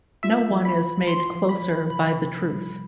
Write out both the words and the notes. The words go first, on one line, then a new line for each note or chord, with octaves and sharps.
No one is made "closer" by the truth.
F4 E5
F3
B5
F3
F4 C6
F3
B5
F3
C3 B5
C3
G3